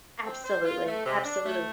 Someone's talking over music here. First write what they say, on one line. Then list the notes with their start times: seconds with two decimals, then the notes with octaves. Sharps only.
Absolutely, absolutely,
0.24 C4
0.44 C5
0.64 F4
0.84 A3
1.04 C3
1.23 D4
1.43 A3